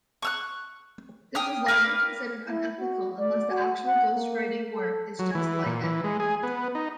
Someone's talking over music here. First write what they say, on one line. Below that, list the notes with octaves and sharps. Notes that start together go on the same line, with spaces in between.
This is largely considered unethical unless the actual ghostwriting work is just light editing.
C#6 E6 F#6
G5 D#6 F6
A#4 B4 D5 F5
E4
F#4
D5
F#4
F#5
A#3
A4
F#3
E3
A#2
E3
G#3
G#4
B3
D#4